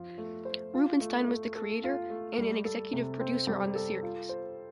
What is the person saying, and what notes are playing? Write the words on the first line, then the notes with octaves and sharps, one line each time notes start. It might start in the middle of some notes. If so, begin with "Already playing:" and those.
Rubenstein was the Creator and an Executive Producer on the series.
Already playing: F3 F4
A3
C5
F4
A3
A3
A4
F4
A3
G3
A4
C3
C4
G3
A4
F4
C5